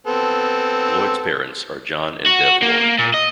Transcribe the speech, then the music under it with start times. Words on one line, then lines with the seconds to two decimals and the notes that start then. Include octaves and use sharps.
Lloyd's parents are John and Bev Lloyd.
0.07 B3 C4 A4
2.26 F#4
2.63 A#3
2.99 A#2
3.14 D#5